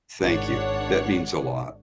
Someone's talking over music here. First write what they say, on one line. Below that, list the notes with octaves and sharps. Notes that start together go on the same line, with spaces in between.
"Thank you, that means a lot."
G#1 D4 C#5 F#5